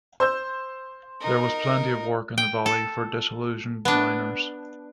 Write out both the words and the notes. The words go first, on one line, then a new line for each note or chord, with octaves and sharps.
There was plenty of work in the valley for disillusioned miners.
C5 E6 G6
D#4 A#4
G5
A4
B3 D4